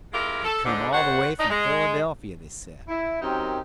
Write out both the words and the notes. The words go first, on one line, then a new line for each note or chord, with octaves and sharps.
It come all the way from Philadelphia, they said.
F2 G#3 E4 F4 G4 A#4
A4
G#2 D3
F#2 G3 C5 C#5 F#5
D4 D#4
G#3
E4
F#2 C4 D#4 G4 A#4